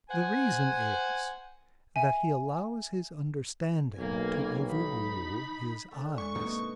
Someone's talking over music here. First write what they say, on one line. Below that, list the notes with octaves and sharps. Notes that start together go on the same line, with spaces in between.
The reason is--that he allows his understanding to overrule his eyes.
C5 F#5 G#5
E5 G#5
B1 A#3 G#5
D#4 B5
A3 D4
G#3 C#6
F#2 B2 F3 A#3 C4 D#4